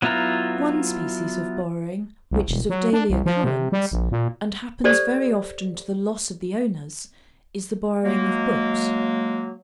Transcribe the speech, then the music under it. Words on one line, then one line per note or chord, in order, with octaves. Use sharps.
One species of borrowing which is of daily occurrence, and happens very often to the loss of the owners, is the borrowing of books.
F#3 B3 E4 F4 A#5
C2
E1
F#3
D4
C2
F3
C3
G3
A#1
A#2
G4 A4 C5 D5
F#3 G#3 A#3